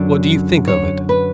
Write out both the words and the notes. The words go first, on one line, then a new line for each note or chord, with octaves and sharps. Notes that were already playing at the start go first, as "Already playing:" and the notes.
What do you think of it?'
Already playing: F#2 D3 F#3 D5
C#5
B4